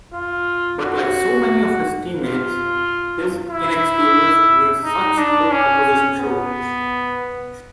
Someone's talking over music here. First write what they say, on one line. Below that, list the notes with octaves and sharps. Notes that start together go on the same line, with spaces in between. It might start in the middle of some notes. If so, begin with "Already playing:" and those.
But like so many of his team-mates, his inexperience against such good opposition showed.
F4
F#4
F4
E4
D#4
D4
C#4
B3